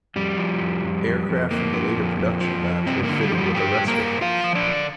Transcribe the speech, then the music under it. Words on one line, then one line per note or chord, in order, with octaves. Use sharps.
Aircraft from the later production batch were fitted with arrestor hooks.
F2 G3
F3
F2
F2
F2
F2
F2 A#3
F3
F2
F2
F3
F2
G2 C3 C4
A#3
D3
G3
F3
G3
G2 G3 G4
G2
A#3 A#4
G2
F3 F4 F5
F3
D4 D5
D3